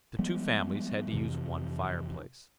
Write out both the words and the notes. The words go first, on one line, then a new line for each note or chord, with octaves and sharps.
The two families had to use one fireplace.
F3 G3 G#3 B3
F2 C3 E3